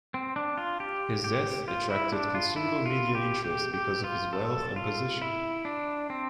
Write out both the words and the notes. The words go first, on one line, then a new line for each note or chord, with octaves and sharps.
His death attracted considerable media interest because of his wealth and position.
C4
D4
F4
G4
G4
F4
E4
D4
F4
E4
F4
G4
G4
G4
F4
A4
F4
E4
D4
C4